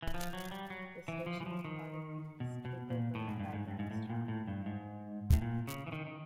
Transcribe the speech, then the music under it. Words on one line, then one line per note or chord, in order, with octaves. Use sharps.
The station was part of V's takeover by Remstar.
E3
F3
F#3
G3
F#3
E3
F3
E3
F3
D#3
B2
B2
A#2
A2
G#2
G2
G#2
G2
G#2
A2
A#2
A2
G2
G#2
A2
A#2
C#3
E3
D#3
D#3